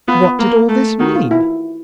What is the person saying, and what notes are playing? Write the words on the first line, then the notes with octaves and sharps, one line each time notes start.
What did all this mean?
B3 F4
A#3
A3
D#3 F#4
F4
E4